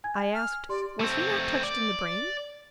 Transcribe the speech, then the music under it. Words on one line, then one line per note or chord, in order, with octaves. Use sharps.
I asked, was he not touched in the brain?
G#5 G#6
F6
G4 D5 C6
A3 C4
D5